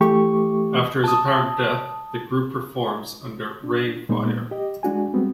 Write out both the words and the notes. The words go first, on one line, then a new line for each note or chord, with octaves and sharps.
After his apparent death, the group reforms under Reignfire.
E3 A3 G4 C#6
A5 D#6
D4
A#2 G#3 A#3 B3 D#4
G4 D#5
G#3 D4 F#4 G#5
G3 G#3 B3 C4 F#4